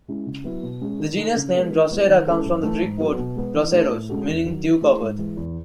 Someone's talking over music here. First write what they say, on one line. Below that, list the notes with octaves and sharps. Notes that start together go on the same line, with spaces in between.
The genus name "Drosera" comes from the Greek word "droseros", meaning "dew-covered".
G#3 C#4 E4
C#3
F#3 B3 E4
B2
G#3 C#4 G#4
D#3
A3 D#4 A4
C#3
G#3 B3 F#4 A4
E3
G#3 B3 E4
D#3
G#3 C#4 E4 A4
F#2
E3 A3
G#2
F#3 B3 F#4 A4
B2
G#3 B3
E3
A3 D#4 A4
A2
G#3 C#4 F#4 A4
E2
D#3 F#3
E3
A3 E4 G#4
G#2
E3 G#3
E2